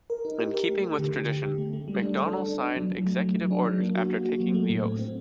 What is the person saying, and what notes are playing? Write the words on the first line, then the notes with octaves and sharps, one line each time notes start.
In keeping with tradition, McDonnell signed executive orders after taking the oath.
A#4
D#4
G4
A#4
A3
G4
D3
D3
G4
D3
A3
A3
G3
D4
A4
D4
D4
D4
F#3
F#3
A3
F#3
F#3
D4
F#3
A#3
F#4
A#3
F#4
F#3
A3
A2
C4
C4